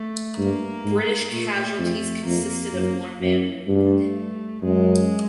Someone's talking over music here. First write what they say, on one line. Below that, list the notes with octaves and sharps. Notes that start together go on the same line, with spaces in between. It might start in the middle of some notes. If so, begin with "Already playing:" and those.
British casualties consisted of one man wounded.
Already playing: A3
G2 A#3
G#2
A#2 A3
F2
F2 A#3
F#2
F#2
G2 A3
F#2 G#3